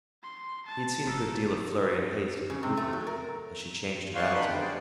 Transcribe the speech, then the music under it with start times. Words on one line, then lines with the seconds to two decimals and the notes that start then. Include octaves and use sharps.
He had seen a good deal of flurry and haste in her movement as she changed her attitude.
0.23 C6
0.66 A5
1.06 F1 A4 A#4
2.50 C#3
2.63 C3
2.77 A3
2.93 F#3
3.07 A#4
4.15 D5 F5 F#5 C6 C#6
4.34 C3 D4 D#4 B4 B5 C6
4.46 E2 G2 D3 G3 D4 G5
4.59 G#4 C5 D5